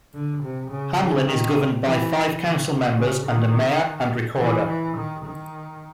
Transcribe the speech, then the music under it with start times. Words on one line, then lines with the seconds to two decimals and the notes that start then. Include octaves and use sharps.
Hamlin is governed by five council members and a mayor and recorder.
0.14 D3
0.43 C3
0.71 C#3
0.99 C#3
1.27 D#3
1.84 E3
2.41 D#3
2.97 C#3
3.26 D#3
4.39 E3
4.68 E3
4.97 D#3
5.25 D#3